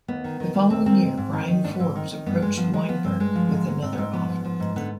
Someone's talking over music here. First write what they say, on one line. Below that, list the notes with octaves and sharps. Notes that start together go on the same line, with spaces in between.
The following year, Brian Forbes approached Weinberg with another offer.
D#2 B3
D#3
D#3
D#3
D#2 C4
D#3 C4
G#2
G#2
D#3
D#3
G#2 D4
B3
G#2 C4
D#3
D#3
G2 B3
G2 G#3
F3 B3
F3 G#3
F3 B3
G2 C4
G2 G#3
F3
G#2
G#2
G#2 C4
B3
G#2 C4
F3 B3
G#2
F3
G#2
D3 B3